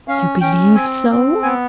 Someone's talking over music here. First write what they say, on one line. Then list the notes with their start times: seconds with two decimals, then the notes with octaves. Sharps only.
"You believe so?"
0.08 C#4 F5
0.41 C#4 G5
0.75 C4 G#5
1.10 C4
1.43 B3 G#5